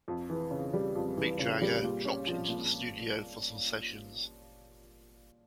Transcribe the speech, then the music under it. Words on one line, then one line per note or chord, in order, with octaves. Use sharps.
Mick Jagger dropped into the studio for some sessions.
F2
E3
C#3
G3
F2
E3
C#3
G3
A#2
C#4
F3
A#2